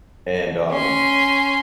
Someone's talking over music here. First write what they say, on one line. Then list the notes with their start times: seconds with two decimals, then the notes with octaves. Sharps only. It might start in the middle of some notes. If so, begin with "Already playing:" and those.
And, um,
0.71 C#4 C6